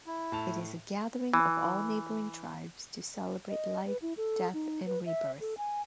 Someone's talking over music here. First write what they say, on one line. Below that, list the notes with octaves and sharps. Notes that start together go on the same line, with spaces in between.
It is a gathering of all neighbouring tribes to celebrate life, death, and rebirth.
E4
A2 A5 F7
E3
D#5
B4
E4
A4
D#4
B4
E5
A4
G#5